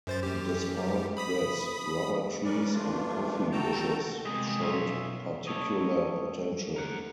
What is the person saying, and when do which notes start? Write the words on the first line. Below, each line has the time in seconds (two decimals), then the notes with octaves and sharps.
Despite this, rubber trees and coffee bushes showed particular potential.
0.07 F#2 C5 A6
0.23 F#2 G4
1.17 B5 D#6 B6
2.44 C#4 A#4 B4 D5
2.73 F#2 E3 A3 D4 F4
3.52 F#4 A4 G5 A5 A#5
4.25 C3 G3 G#3 B3 G#4 D#5
4.60 B1 F4 C#5 E5
5.47 A4 C#5 D#5
6.76 A#4 F#5